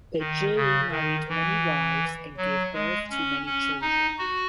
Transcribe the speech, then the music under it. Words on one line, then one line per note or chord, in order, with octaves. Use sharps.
Ajayi married many wives and gave birth to many children.
D#3
C#3
D#3
E3
F#3
G#3
C#4
C#4
D#4
F#4